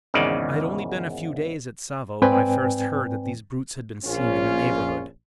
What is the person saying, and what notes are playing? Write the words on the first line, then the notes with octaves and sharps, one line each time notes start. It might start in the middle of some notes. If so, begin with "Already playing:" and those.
I had only been a few days at Tsavo when I first heard that these brutes had been seen in the neighbourhood.
G#1 E2 C#3 D#4 D5
G#2 C4 B4 D5 G5 G#5
A#1 C#4 F4